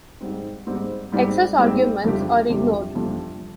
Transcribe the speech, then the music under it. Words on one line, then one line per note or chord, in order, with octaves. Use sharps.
Excess arguments are ignored.
G#2 G3 C4
G#2 G3 C4
G#2 G3 C4
G#2 G3 C4
F2 C3 G3 D4 G4
F2 C3 G3 D4 G4
F2 C3 G3 D4 G4